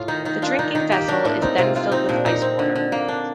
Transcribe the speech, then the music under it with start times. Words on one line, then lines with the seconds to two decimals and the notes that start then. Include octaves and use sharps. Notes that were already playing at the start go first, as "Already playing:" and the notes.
The drinking vessel is then filled with ice water.
Already playing: A2 A3 F4
0.08 D#3 D#4
0.25 D#3 D#4
0.42 D4 F4
0.59 D#3 D#4
0.75 D#3 D#4
0.92 A#3 G4
1.08 D4 A#4
1.25 A2 D4
1.42 C4 D#4
1.58 C3 F4
1.76 C3 F4
1.92 C4 D#4
2.09 A#2 D4
2.26 A#2 D#4
2.42 C4
2.59 D3
2.76 D3
2.92 A#3
3.08 D4